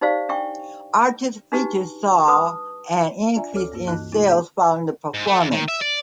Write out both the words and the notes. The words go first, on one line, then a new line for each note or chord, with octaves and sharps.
Artists featured saw an increase in sales following the performance.
D#4 G4 C5 D5 F5
D4 E5 G5 C#6
D4 D#4 F#4 G4 B4
B4 A5 D#6
D4 F4 D5 E5 G#5 A#5
D2 A4 C#5 D6 F6
G2 A#3 F4
G2 E3 D#4 A5 F#6
C3 G#3 A3 D#4 F4
G#2 B3 D#4 G#4 F#5 G6
G#2
A3
E2
D#3
E5
D5